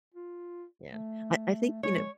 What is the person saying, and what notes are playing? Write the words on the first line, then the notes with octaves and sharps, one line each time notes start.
yeah, I I think, you know,
F4
A3
G#3 C#5